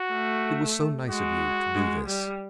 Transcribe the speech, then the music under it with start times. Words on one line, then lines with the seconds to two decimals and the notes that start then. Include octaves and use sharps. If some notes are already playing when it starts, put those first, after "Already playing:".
It was so nice of you to do this.
Already playing: F#4
0.12 A3
1.09 G#3 F#4
1.75 G#3
2.07 G3